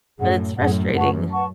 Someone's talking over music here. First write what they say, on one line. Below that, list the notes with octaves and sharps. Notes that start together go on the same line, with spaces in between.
But it's frustrating.
F#2 A2 G#4 C#5 F#5
F#2 A2 G#4 C#5 F#5
F#2 B4 F#5 A5 C#6
B4 F#5 A5 C#6